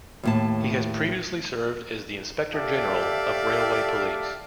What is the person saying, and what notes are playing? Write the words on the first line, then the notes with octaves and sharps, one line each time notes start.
He has previously served as the Inspector General of Railway Police.
D#2 A2 A5
G4 A4 D5 E5 F5